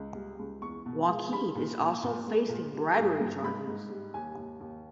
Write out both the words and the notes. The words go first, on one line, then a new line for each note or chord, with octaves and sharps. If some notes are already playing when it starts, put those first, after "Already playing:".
Wankhede is also facing bribery charges.
Already playing: C#2
G3
C#2
E2 C#6
B2
G#3
G3 B5
A#2
A#2
A#2
G#3
A#2
G3
G2
G2
G#2 B5
G#2
G3
D#2 G#5
D#2
D#2